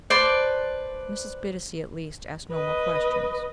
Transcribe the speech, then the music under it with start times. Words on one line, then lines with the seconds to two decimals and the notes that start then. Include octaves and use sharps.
Mrs. Bittacy, at least, asked no more questions.
0.10 B4 C5 D5 A5
2.52 B4 D#5